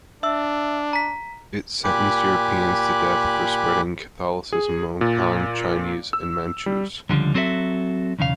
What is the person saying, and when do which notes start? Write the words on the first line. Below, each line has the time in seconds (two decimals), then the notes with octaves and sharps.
It sentenced Europeans to death for spreading Catholicism among Han Chinese and Manchus.
0.23 D4 E5 E6
0.93 A#5 B6
1.84 A#2 G4 G#5 B5 D6 F#6
4.53 G#4
5.01 A#2
6.13 E6
6.66 G3
7.09 C#2 D3 F3 G3
7.34 F#3 C4 F#4 A4 B4 E5
8.18 B1 E2 C#3 F5